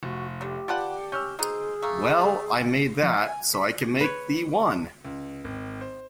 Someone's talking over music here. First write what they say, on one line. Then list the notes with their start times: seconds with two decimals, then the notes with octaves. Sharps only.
Well, I made that, so I can make thee one!
0.03 F1 F#4
0.41 D3 A3 G4
0.68 F4 B4 D5 F#5 G5 A5
1.12 C#4 E6 F6 G6
1.39 B2 D#4 G#4 C5
1.82 A3 A#3
3.03 F3
3.16 G#5
3.54 B6
4.01 B4 C#5
5.05 C#2
5.44 G#1
5.81 C5